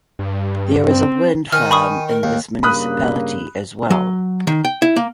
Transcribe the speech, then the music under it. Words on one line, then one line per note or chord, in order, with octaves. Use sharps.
There is a wind farm in this municipality as well.
G2
C4
D#3 G#5 F6
B5 C#6 D#6
A#4
D#2
G2 C#3 A#3 B5 D#6 F#6
F#3
D#3
G5
E4
A#3